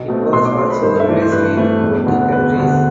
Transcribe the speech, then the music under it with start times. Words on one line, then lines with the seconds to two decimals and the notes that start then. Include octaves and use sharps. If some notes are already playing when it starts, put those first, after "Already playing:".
It was also released in twenty countries.
Already playing: B1
0.08 B2 A3 C4
0.33 B1 C6
0.45 D6
0.58 B2 A3 C4 C6
0.70 B5
0.82 G2 C5
1.00 E5
1.07 E3 A3 C4 D5
1.22 C5
1.32 G2 B4
1.57 E3 A3 C4
1.83 E1
2.07 D2 D3
2.32 E1 B4
2.56 D2 D3